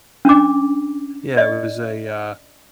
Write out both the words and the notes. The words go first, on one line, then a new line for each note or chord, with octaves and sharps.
yeah, it was a, uh,
C#4 D4 D6
D5 D#5